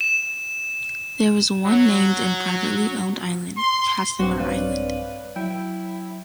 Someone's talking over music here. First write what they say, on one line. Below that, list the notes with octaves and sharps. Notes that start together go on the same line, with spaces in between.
There is one named and privately owned island, Casimir Island.
E7
F#3
C6
A#1 G2 F#3 C4 F#4 D6
B4 C#5 D5 F5
F#3 E4 G5